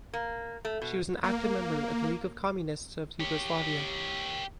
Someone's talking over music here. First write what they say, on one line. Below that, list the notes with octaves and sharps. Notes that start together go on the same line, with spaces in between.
She was an active member of the League of Communists of Yugoslavia.
A#3
A3
B2
A#3
G4 C#5